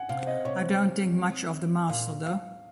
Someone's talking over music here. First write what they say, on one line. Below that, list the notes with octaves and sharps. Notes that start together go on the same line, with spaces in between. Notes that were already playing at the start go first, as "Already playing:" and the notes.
I don’t think much of the master, through.
Already playing: F#5 G#5
C3 F5
D#5
C3 C#5
A#2 F5
F5